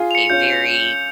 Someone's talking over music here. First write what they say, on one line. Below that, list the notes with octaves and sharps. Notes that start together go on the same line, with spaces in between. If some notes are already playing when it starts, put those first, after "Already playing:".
a very
Already playing: F4 G#4
C#7 F7
C#4 F4 G6